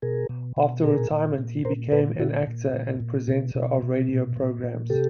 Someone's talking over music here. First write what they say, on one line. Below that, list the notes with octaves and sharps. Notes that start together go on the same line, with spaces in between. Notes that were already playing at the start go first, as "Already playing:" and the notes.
After retirement, he became an actor and presenter of radio programs.
B2 G#4 A#4
B2
B2
A#2 G#4 A#4
A#2
A#2
A#2 A#4 C5
A#2 A4 B4
A#2 E4 F#4
A#2
A#2
A#2
B2
B2
B2
A#2
A#2
A#2
C3 G4 A4